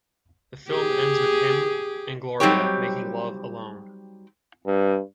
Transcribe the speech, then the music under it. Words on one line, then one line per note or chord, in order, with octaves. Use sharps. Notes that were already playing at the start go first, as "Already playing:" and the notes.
The film ends with him and Gloria making love alone.
G4 G#4
F#3 G3 C4 D#4 G4 C#5
G2